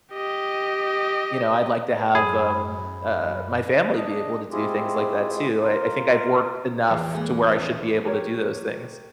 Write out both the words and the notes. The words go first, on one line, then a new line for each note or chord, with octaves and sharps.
you know, I'd like to have, um, uh, my family be able to do things like that, too. I I think I've worked enough to where I should be able to do those things.
G4 D#5
F#2 G#4 B5
D4 D#5
G#3 C4 E4 F4 G4 G#4
F4 A#4
E2 F3
G#3 A#3 G#4
F3 B3 C#4
G4 A#4 C#5